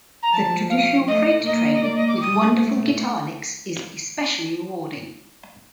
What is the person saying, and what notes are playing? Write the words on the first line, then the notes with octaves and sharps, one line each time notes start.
The traditional "Freight Train" with wonderful guitar licks is especially rewarding.
A#5
F3 A5
F5
A3 D#5
A#3 D#5
D#5
A#3 D5
D#5
D6
G3 D#6
A3